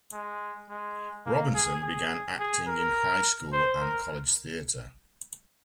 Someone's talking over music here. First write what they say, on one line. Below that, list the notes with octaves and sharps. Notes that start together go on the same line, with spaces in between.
Robinson began acting in high school and college theatre.
G#3
G#3
A#3
G#4
G#4
G#4
A#4
C5
A#4